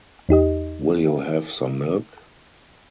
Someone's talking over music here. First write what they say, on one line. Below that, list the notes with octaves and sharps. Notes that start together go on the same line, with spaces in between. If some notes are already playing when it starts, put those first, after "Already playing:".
Will you have some milk?
E2 D#4 G4 D#5